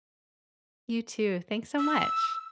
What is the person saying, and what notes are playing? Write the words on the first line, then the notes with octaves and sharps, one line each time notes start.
You too. Thanks so much.
E6